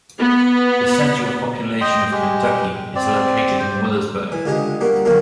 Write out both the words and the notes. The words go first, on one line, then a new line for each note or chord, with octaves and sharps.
The center of population of Kentucky is located in Willisburg.
B3
D#5 G5 C6
G#3 G4
C4 D5
C5
E3
C#2 D3 G4 G#4 D#5
G3 A#3 F#4
A#2 D3 F3 F#3 A#3